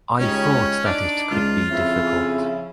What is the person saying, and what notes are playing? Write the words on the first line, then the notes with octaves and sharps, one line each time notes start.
I thought that it could be difficult.
C#2 G3 C#4 D#4 C#5
D4 D#4 D5
C#2 F4
F2 C#3 E4